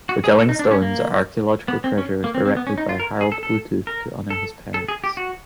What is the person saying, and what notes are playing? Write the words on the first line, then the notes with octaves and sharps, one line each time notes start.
The Jelling stones are archaeological treasures erected by Harald Bluetooth to honour his parents.
F#4
G#4
A4
D#4
D4
C#4
A#3
B3
C4
C#4
A#3
C4
C4
B3
C#4
D#4
F4
A#4
G#4
A4
A4
A#4
A4
A4
G#4
G4
F#4